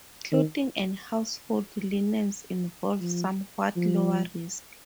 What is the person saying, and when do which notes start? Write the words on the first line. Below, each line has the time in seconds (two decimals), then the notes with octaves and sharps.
Clothing and household linens involve somewhat lower risks.
0.32 D#3
3.00 F3
3.76 F3